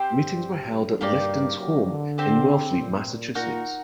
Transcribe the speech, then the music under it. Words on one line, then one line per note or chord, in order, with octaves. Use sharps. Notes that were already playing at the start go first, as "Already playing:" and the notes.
Meetings were held at Lifton's home in Wellfleet, Massachusetts.
Already playing: C4 G4 C5 G5
G2
G2
G2 A#3 D#4 G4 D5
F#3
D3
C4 G4 C5 G5
A#2
A#2 D#4 F#4 A#4